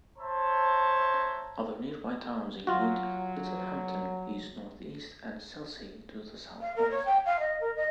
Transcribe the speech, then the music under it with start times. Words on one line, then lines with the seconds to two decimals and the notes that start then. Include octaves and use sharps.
Other nearby towns include Littlehampton east-north-east and Selsey to the south-west.
0.18 C5 C#5 E5 A5 A#5
2.67 F#3 F4 F#4
6.61 F5
6.76 A#4
6.91 C#5
7.05 G5
7.26 F5
7.40 D#5
7.61 A#4
7.76 D#5